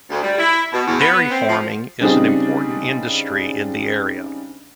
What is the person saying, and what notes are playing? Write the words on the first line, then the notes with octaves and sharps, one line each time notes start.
Dairy farming is an important industry in the area.
D2
G3
E4
B2
E2
B3
B3
C4
F3
C#3 G3 C4 D4 D#4 G#4